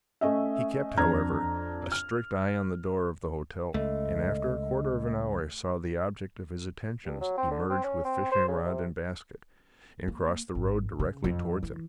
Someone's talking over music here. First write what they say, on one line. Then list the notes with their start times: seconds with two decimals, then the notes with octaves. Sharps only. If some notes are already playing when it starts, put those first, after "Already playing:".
He kept, however, a strict eye on the door of the hotel, and after a quarter of an hour saw the object of his attentions emerge with fishing-rod and basket, and cross the road directly towards him.
0.21 A3 C#4 D#5 E5
0.97 F2 D4 A#5 F6 G#6
1.92 F6
3.74 C#2 A3 D#5
7.05 G2
7.21 F#3
7.37 C4
7.51 D3
7.69 C4
7.84 C#4
8.05 C4
8.32 C5
8.48 C#3
8.65 C3
10.08 A#3
10.55 G#1
10.99 C#3
11.24 F2
11.63 E3